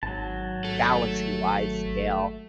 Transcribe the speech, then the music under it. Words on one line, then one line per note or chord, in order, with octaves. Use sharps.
galaxy-wide scale,
G#1 F#3 A5
A3 A4